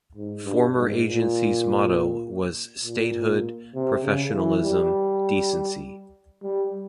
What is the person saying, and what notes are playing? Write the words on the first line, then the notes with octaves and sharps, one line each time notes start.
Former agency's motto was "Statehood, professionalism, decency".
G#2
G2
G#2
A#2
A#2
C3
C#3
E3
G3
G3